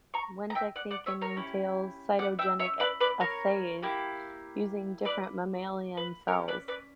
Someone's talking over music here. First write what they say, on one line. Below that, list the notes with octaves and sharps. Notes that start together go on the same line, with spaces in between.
One technique entails cytogenetic assays using different mammalian cells.
A#5 C#6
A#5
E5 G5
D5 F#5
D5 F#5
C#5 E5
A#4 C#5
C#4 E4 G4
D5 F#5
E5 G5
C#5 E5
B4 D5
B4 D5
A#4 C#5
A#3 E4 G4
B4 D5
B4
C#4 G4 A#4 C#5
B4 D5
B4 D5